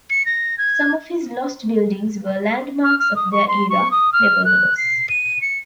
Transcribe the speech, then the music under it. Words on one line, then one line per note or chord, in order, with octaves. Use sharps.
Some of his lost buildings were landmarks of their era, nevertheless.
C#7
A#6
G#6
F6
F6
D#6
C#6
C6
C#6
D#6
F6
F#6
C7
D#7
C#7